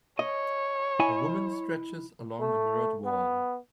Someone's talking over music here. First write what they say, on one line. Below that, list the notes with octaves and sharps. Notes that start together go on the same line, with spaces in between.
A woman stretches along a mirrored wall.
C#5 D#5
E4 D#5 G#5
A3
B3